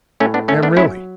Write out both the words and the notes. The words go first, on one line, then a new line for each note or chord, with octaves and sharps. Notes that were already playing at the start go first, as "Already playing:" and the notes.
Am really.
A2 A3 C#4
B3 D4
A3 C#4
B3 D4
F#3 C#4 E4